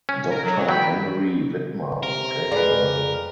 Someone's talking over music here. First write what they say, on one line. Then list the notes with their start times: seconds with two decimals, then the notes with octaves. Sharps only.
Doctor Henry Widmer replaced her.
0.09 C#4
0.30 D#4 A#4
0.43 F#3
0.69 F#3 G5 B5
2.03 C3 A#4
2.52 F2 G#3 B4 D5